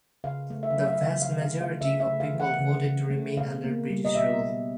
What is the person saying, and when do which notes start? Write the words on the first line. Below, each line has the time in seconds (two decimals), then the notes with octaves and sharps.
The vast majority of people voted to remain under British rule.
0.24 C#3 F5
0.50 A3
0.63 E5
0.71 F5
0.76 F#3 E5
0.86 F5
0.93 E5
1.02 C#3 F5
1.22 F5
1.28 C#3
1.42 F5
1.54 A3
1.61 F5
1.81 C#3 E5
2.00 E5
2.07 A3
2.20 F5
2.33 E3
2.40 F#5
2.59 C#3
2.84 C#3
3.10 A3
3.37 B2 F5
3.64 A#3
3.90 G3
4.05 D#5
4.15 B2 E5
4.42 B2